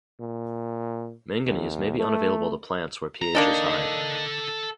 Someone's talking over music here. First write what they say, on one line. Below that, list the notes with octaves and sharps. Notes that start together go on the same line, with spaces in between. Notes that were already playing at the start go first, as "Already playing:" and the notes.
Manganese may be unavailable to plants where pH is high.
A#2
D#2
A3
A#5
A#3 D4 D#4 A4 F#5